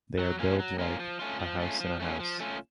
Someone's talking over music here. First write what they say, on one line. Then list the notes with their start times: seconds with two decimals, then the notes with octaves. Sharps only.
They are build like "a house in a house".
0.19 F#3
0.39 A#3 C#4 F4
0.59 F#3
0.79 A#3 C#4 F4
1.00 F3
1.19 A3 C#4 F4
1.39 F3
1.59 A3 C#4 F4
1.80 F3
2.00 A3 C#4 F4
2.20 F3
2.40 A3 C#4 F4